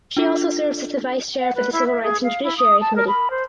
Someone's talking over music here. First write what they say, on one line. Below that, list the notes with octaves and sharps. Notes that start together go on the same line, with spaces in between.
She also serves as the Vice Chair for the Civil Rights and Judiciary Committee.
D4 F4 A4
F#5
B4
E4
E5
G#4
F5
E4
D#6
A5
A#4
B5
C5